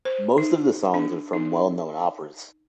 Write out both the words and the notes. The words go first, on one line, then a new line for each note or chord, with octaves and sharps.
Most of the songs are from well-known operas.
C5
D#4
D4
D#4